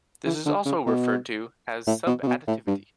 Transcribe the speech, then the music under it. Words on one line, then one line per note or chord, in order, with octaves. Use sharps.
This is also referred to as subadditivity.
E3
D3
C#3
B2
A2
B2
C#3
B2
A2
G2